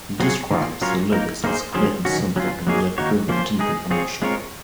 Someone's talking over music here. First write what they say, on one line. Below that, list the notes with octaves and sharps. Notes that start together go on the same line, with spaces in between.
He describes the lyrics as clear and simple and yet very deep and emotional.
F#3 C4 F4 G#4 C#5
D#3 A#3 F4
F#3 C#4 F4 A#4 C#5
A#3 D#4 A#4
A#3 D#4 G#4 C5
D#3 F#3 C#4 G#4 C5
D#3 F#3 C#4 F#4
F#3 C#4 F4
F#3 A#3 D#4 G#4 C#5
D#3 A#3 D#4 F#4 C#5
F3 A#3 C#4 F4 C5
G#3 D#4 G#4
C4 F4 G#4 C#5
G#3 C4 F4 A#4 C#5